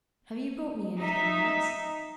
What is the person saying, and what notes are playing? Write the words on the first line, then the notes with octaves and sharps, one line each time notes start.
Have you brought me anything nice?'
D#4 E5